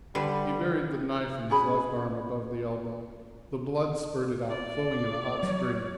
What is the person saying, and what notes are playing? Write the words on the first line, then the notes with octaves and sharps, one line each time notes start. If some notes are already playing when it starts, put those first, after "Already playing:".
He buried the knife in his left arm above the elbow; the blood spurted out, flowing in a hot stream.
D3 G3 B4
C#4 F#4 G#4 B5
D5
F#3 C#5